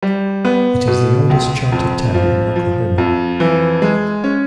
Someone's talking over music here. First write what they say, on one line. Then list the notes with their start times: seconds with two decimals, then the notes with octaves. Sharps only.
It is the oldest chartered town in Oklahoma.
0.02 G3
0.45 B3
0.87 B2
1.30 C#2
1.72 F2
2.14 F3
2.56 F3
2.98 F2
3.40 E3
3.82 G#3
4.24 C#4